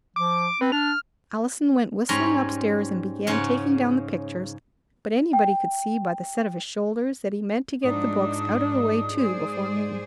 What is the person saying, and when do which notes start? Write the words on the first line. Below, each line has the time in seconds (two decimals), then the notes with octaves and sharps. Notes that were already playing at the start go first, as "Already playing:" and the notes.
Allison went whistling up-stairs, and began taking down the pictures; but anybody could see by the set of his shoulders that he meant to get the books out of the way too before noon.
0.16 F3 D6
0.61 B3 C4
0.72 D4 F6
2.09 G#2 G3 C#4 C#5 A#5 C6
3.27 G#2 C#3 C#4 F#5
5.33 G5
7.83 G#2 F3 D4 D#4 D#6
9.16 G#4 C5 D5